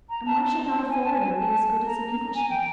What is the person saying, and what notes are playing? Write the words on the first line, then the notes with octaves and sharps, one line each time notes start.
And why should not a foreigner be as good as an Englishman?
A#5
A5
A5
G#5
A5
G#5
A5
A#5
A#5
G#5
G5